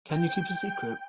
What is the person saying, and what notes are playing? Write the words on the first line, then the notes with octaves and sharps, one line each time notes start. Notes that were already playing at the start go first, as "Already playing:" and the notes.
Can You Keep a Secret?
G5